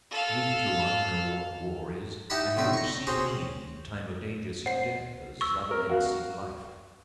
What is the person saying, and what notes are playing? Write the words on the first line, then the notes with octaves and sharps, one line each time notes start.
You, Tuan, know what war is, and you have seen me in time of danger seek death as other men seek life!
A4 F5
D#4 E4 G4 F#5 A5 B5
A2 D3 D#3 E5
A#5 C#6
C4 C#4 F#4 G#4
C5 F#5 C7
C#6 E6
A#4
F#4 F5 F#6